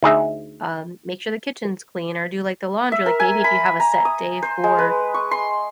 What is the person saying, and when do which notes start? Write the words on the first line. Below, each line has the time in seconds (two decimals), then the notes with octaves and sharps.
um, make sure the kitchen's clean or do, like, the laundry. Like, maybe if you have a set day for
0.03 D2 D#4 G#4 E5
2.92 E5
3.06 A#4
3.20 G#5
3.44 B5
3.80 A#5
4.05 D#6
4.42 C5
4.64 G#3
4.78 B4
5.14 C#6
5.31 C6